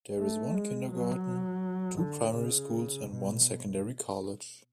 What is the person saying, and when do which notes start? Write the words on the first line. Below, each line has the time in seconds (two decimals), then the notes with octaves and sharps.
There is one kindergarten, two primary schools and one secondary college.
0.19 A3
0.55 G#3
0.91 F#3
1.99 D3
2.37 C#3
3.09 B2